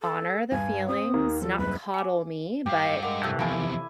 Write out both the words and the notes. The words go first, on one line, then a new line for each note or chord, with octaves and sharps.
honor the feelings, not coddle me. But, um,
A4
G2 G#5
C4 D#6
D#2 D#3 A#3
F3 A4
F#1 C2 B4
G#5 D6
G2 G4 F5
G#3 A#4 D5 F#5
C3 A3 E6 G6
E2 F3 E4 F5 G#5 A5